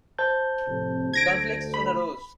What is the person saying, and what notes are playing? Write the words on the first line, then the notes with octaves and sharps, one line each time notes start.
Conflicts soon arose.
C5 A5 G6
F2 A2 C3
D2 G#6 A#6 D7
B5